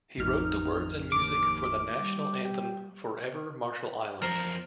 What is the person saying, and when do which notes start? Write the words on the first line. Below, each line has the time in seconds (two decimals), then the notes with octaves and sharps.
He wrote the words and music for the national anthem, "Forever Marshall Islands".
0.17 A1 F2 D#4 F6
1.12 D#2 D6
1.99 G3
2.45 G4
4.22 E2 F3 A#4 C5